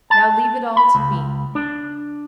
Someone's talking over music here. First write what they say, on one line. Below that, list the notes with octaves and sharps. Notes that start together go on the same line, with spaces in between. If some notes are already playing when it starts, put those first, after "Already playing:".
Now leave it all to me!
A5
B5
C#2
D4